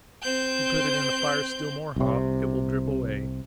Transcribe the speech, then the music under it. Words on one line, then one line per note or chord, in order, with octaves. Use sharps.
If you put it in a fire still more hot it will drip away.
C4 G6
C2 C3